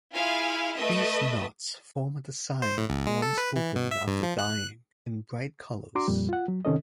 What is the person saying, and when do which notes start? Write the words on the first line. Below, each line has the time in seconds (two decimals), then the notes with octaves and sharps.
These knots form a design once opened after dyeing in bright colours.
0.13 E4 F4 G#4 F5 G#5 F6
0.74 A3 B4 D#5 E5
2.62 C5
2.78 A2
2.90 C#2
3.06 G#3
3.22 A4
3.38 B4
3.56 E3
3.76 B2
3.91 E5
4.07 G2
4.23 F3
4.39 F#6
5.95 D4 F#4 A#5 C6 D6
6.08 F2 A#2 G3
6.29 F4 F#5
6.48 F#3
6.65 C3 D#3 C#4 A4 D#5